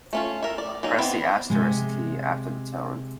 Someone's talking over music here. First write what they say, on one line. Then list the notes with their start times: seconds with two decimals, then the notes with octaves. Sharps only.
Press the asterisk key after the tone.
0.13 A3 C#4 F4
0.43 A#4 E5
0.58 D5
0.83 F#3 A#3 D#4 G#4
0.98 E3 B3 C4 E4
1.50 C3 G#3